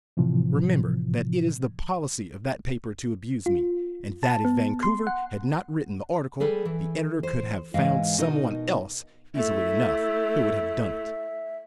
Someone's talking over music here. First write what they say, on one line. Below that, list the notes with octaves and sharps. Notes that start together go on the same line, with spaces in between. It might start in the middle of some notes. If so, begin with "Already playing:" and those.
"Remember that it is the policy of that paper to abuse me, and that if Vancouver had not written the article, the editor could have found some one else easily enough who would have done it."
A2 C3 E3 F3
F4
A5
B3
C6
F#5
G3 G#4 A4 B4
E3
C5
G#2 E3 G#3 F5
B2 D#4 A#4 D#5
A3 E4 E5